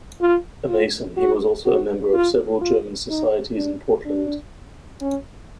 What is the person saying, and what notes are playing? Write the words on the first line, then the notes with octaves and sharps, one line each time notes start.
A Mason, he was also a member of several German societies in Portland.
F4
F4
F#4
F#4
F4
F4
D#4
D4
D4
C#4